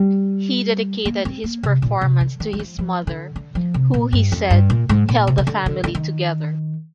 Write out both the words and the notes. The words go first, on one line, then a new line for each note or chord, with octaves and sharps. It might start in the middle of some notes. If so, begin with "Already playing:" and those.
He dedicated his performance to his mother who he said "held the family together".
Already playing: G3
A#3
C4
A#3
C3
A#2
C3
D3
D#3
G3
F3
F3
D3
D3
F3
C3
A#2
G2
F2
G2
A#2
G#2
A#2
C3
C3
D3
D3
D3
D#3